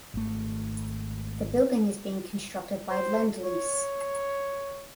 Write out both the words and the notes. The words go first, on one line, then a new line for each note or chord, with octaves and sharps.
The building is being constructed by Lendlease.
G#1 A3
C5
C#5